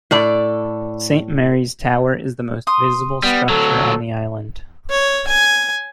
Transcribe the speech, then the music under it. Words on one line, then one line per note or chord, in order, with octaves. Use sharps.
Saint Mary's Tower is the most visible structure on the island.
A2 A4 D5
C6 D#6
G3 B3
D2 F#3 A4
C#5
G#5